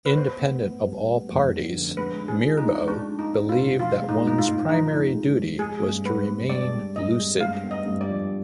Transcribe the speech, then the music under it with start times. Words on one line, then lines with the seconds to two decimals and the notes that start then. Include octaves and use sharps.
Independent of all parties, Mirbeau believed that one's primary duty was to remain lucid.
0.06 B4
0.17 B3 C5
0.39 B3
0.61 B3
0.85 G3
1.07 B3
1.30 F2
1.53 B3
1.75 D3
1.97 G#3 B4
2.21 D4
2.28 G#4
2.44 F4
2.57 D#4
2.66 G#3
2.88 G#3 D4
3.11 D4
3.19 D#4
3.33 D4
3.49 F4
3.56 B2
3.79 F3 F4
4.01 G#3
4.09 D#4
4.24 G#2 D#4
4.38 F4
4.47 G#2
4.69 F3 D#4
4.92 F3
5.14 G#3
5.37 F3
5.59 G#3 G#4
5.82 G2
6.05 G#3 B4
6.27 G2
6.49 G#3 D5
6.72 G2
6.95 G2 D#5
7.17 G#3
7.40 G2 F5
7.64 B3
7.71 D#5
7.86 G2
8.01 D5
8.09 F3